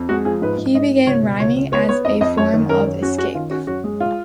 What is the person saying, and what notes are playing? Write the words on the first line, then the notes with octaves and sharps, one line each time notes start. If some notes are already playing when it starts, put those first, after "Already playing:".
He began rhyming as a form of escape.
Already playing: F2
G#3 F#4
F3 G#4
G#2 B4
G#2
G#2 D#5
G#2
C#2 C#5
B2
C#2 C#5
C#2
B3 C#5
B3 C#5
F2 D#5
F2 D#5
F#2 C#5
D#3
F#2 A#4
F#2
C#4 F#4
C#4 F#4
D#3 F4
C#4 F#4
F#2 F#4
G#3
F4